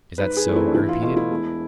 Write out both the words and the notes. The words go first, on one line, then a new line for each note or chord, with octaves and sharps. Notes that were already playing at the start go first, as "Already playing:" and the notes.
"Is that so?" I repeated.
G#2 B4
G#4
E3 A3 C4
E4
D4
E2 E4
F4
B2 A3 F4
E4
E1